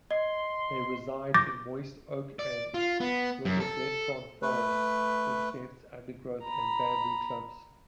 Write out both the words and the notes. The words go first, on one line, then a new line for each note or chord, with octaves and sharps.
They reside in moist oak and rhododendron forests with dense undergrowth and bamboo clumps.
D#5 C6
D6 G6 A6 A#6
D5
F4
B3
F#2
A4
A3 B4
A#5 B5